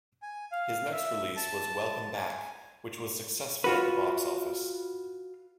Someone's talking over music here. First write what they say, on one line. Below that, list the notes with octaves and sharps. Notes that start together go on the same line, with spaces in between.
His next release was "Welcome Back", which was successful at the box office.
G#5
F5
E5
A5
G#5
F4 F#4 B4